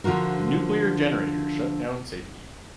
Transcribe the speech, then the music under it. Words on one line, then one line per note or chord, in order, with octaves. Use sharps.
The nuclear generators shut down safely.
D3 F3 F4 F#4 A#4